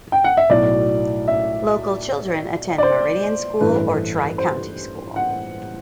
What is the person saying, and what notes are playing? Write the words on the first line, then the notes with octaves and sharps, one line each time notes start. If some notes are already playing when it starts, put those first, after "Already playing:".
Local children attend Meridian School or Tri County School.
G5
F#5
E5
B1 A2 F#3 D5
E5
D5
C5
A1 G2 E3 A3 B4
C5
F#5